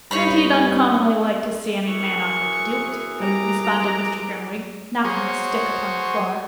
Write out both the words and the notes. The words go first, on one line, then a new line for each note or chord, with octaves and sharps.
'And he'd uncommonly like to see any man offer to do it,' responded Mr. Grimwig, knocking his stick upon the floor.
G2 D#4 C#5 B5
F#2 E3 G#4 C#6
G3 A#5 D6
F#3 G#4 C5 C#5